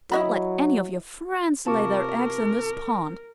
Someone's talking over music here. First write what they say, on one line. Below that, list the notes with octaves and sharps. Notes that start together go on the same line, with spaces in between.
Don't let any of your friends lay their eggs in this pond.
F#3 E4 D#5 B5
C3 F4 A#4 A5 C#6 D6